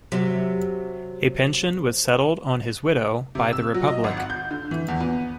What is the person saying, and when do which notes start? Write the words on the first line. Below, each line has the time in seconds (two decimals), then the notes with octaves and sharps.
A pension was settled on his widow by the Republic.
0.12 C3 F#3
3.35 C3
3.53 E6
3.74 F#3
3.88 D#5
4.04 G#1
4.17 F#5
4.30 G6
4.51 D3
4.71 E3
4.88 E2
5.00 B3